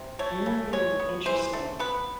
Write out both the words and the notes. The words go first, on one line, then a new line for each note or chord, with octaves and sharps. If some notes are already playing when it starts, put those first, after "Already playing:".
Mm, interesting.
Already playing: C3
A3 C#5
C#3
G#3 C#5
B3
E3 C5
A3
B3 B4